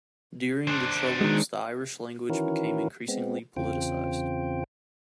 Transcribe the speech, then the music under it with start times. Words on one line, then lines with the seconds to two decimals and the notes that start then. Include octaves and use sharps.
During The Troubles the Irish language became increasingly politicised.
0.68 D4 C5
1.21 D#3 G#3
2.30 D#3 E3 C#4 E4 F#4 A#4
3.08 G#3 B3 C4
3.57 E2 C#3 C4 F4 G5